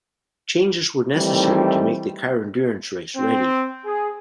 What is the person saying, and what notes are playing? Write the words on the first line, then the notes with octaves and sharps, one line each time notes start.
Changes were necessary to make the car endurance race ready.
D#3 E3 G3 A3 C4 D#4
C4
G#4